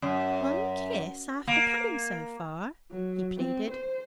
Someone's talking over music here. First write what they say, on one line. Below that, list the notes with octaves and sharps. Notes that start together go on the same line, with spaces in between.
"One kiss after coming so far," he pleaded.
F#2
A#3
F#3
C4
C5